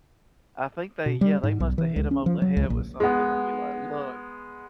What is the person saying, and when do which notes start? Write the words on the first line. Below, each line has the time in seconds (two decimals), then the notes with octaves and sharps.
I think they yeah, they must have hit them over the head with something and be like, "Look."
1.06 B2
1.21 G3
1.43 G#2
1.60 B1
1.78 E3
1.96 C#2
2.11 C#4
2.26 F3
2.42 F#3
2.57 C#2
2.70 A#1
3.00 G#3 B3